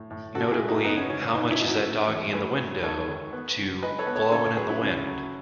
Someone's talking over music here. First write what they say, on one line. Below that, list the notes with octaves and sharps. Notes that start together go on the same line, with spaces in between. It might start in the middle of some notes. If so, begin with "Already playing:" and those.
Notably "How much is that Doggy in the Window", to "Blowin' in the Wind".
Already playing: A2
A2
C#3 F#4 A4
F#4
E4 G#4
G#3
D#4 F#4
C#3 B3 D#4
C#4
C#3 C#4
C#4
B2 B3 D#4
C#4 E4
B2
D#4 F#4
A3
E2
A3 G#4 B4
F#3
G#2 A4 C#5
D#3
B3
C#3
G#3 B4 D#5
A4 C#5
B3
A4 C#5
C#3 A4 C#5
A4 C#5
F#3 G#4 B4
C#4 E4
C#3 C#4
F#3